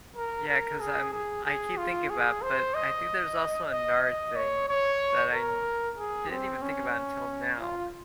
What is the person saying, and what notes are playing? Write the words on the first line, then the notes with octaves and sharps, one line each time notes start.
yeah, 'cause I'm I keep thinking about, but I think there's also another thing that I n didn't even think about until now,
A#4
A#4
G#4
G#4
G#4
F4
G#4
C5
D#5
D#5
D#5
C#5
C#5
A#4
G#4
C4
C#4
F4